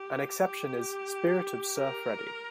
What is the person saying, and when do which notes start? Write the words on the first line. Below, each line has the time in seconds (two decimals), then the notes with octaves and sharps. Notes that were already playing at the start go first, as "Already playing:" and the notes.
An exception is "Spirit of Sir Freddie".
Already playing: G4
0.42 G4
1.78 A#4